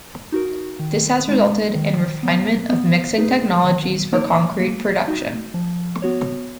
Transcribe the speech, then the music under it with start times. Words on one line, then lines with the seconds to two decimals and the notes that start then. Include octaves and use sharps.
This has resulted in refinement of mixing technologies for concrete production.
0.32 D#4 F#4 A#4
0.79 D#3
1.28 G#3 D#4
1.75 D#3
2.23 F#3 B3
2.69 B3
3.18 D#4 G#4 B4
3.65 D#3
4.12 A#3 D#4 A#4 C#5
4.59 A#3
5.08 D#4 F#4
5.54 F3
6.02 B3 F#4 C#5